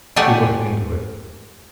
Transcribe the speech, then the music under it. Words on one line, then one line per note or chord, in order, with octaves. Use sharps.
She looked into it.
A3 G4 C#5 D5 F#5 G#5